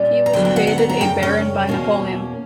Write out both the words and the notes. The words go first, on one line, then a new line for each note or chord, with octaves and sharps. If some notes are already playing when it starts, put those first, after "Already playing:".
He was created a baron by Napoleon.
Already playing: A#2 G3 C#4
A#5
D2 D3 F#3 B3 G5
G5
F#5
F#5
A#5
A#5
F#2 C#3 G5
C#4
E2 B2 A#3 C#4